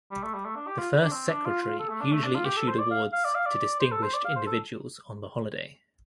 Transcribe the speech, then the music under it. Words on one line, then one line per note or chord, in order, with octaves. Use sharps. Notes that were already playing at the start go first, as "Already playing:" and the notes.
The First Secretary usually issued awards to distinguished individuals on the holiday.
G3
A3
G3
A3
D4
G4
F4
D4
C4
D4
F4
F4
A4
A3
D4
A3
D4
F4
G4
A4
C5
D5
F5
F5
D5
F5
D5
C5
A4
C5
D5
F5
C5
A4